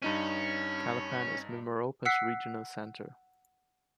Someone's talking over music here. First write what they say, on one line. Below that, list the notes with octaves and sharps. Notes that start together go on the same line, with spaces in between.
Calapan is Mimaropa's regional center.
G2 C#4 D#4 D#7
F#5 E6 F#6 B6 C7